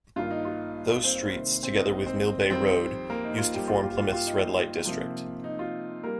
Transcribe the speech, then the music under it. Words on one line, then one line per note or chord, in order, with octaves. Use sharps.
Those streets together with Millbay Road used to form Plymouth's red light district.
G2 D#3 A#3 F4
D#4
F4
C4 C5
C3 D#3 A#3
C4 C5
D#4 D#5
C4 C5
F2 D#3 G3 C4 C5
A#3 A#4
D#4
F4
G3 G4
G2 G3 A#3 F4
G4
F4
G4
F4
G4
F4
D#4
C3 F3 A#3
D#4
F4
G3 A#3 A#4